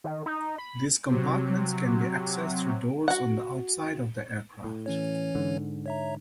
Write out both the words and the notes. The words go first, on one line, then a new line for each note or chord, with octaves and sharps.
These compartments can be accessed through doors on the outside of the aircraft.
D#3
D#4
B5
C3 F#3
F#4 F#5
A2
E3 C#4 C#5
G#2 D3
C#5 E5 A#5